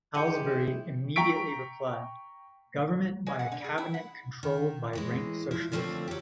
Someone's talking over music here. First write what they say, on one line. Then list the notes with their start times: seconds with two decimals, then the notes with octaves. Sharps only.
Halsbury immediately replied: "Government by a Cabinet controlled by rank socialists".
0.15 G#1 D2 G#3 E4 G4 G6 C#7 D#7
1.16 G5 A#5 C#6 B6 D7
3.26 G#3
3.39 F#5
3.52 D3
3.64 G#4
3.78 E4
3.94 F#5
4.43 D#3
4.93 A2 E3 G#3
5.51 F3 E4
5.72 A2 D3 F3 A3 A#3 C4
6.08 F#3 G4